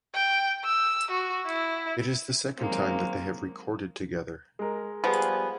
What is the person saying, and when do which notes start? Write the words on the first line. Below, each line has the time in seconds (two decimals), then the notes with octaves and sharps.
It is the second time that they have recorded together.
0.15 G5
0.64 E6
1.11 F#4
1.47 E4
2.57 D#3 F#3 G#3 A#3 C4
4.59 G#3 A#4
5.04 F3 G3 B3 G#4